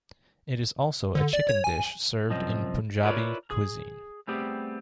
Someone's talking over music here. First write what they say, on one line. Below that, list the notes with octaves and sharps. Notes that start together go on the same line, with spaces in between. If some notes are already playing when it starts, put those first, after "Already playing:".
It is also a chicken dish served in Punjabi cuisine.
D3
D5
C#5
G#5
C2 F#2 F3 C4 D#5
E4 F4 A#4 B4 C#5 D5
G#4
G3 A3 B3 C4 G4 G#4